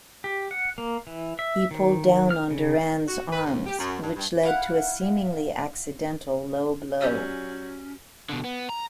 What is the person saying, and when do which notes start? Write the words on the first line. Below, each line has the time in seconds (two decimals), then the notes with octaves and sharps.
He pulled down on Duran's arms, which led to a seemingly accidental low blow.
0.24 G4
0.51 F#5
0.78 A#3
1.07 E3
1.39 E5
1.71 D#3
2.30 F6
2.51 C#3
3.07 F#4
3.32 B4
3.45 D#2
3.66 G4
3.79 F#2
4.03 G2
4.16 G2
4.43 E4 F5 F#5
7.01 F#3 C#4 G4 D5 G#5 E6 G6
8.29 B2 D3
8.44 B3
8.69 A#5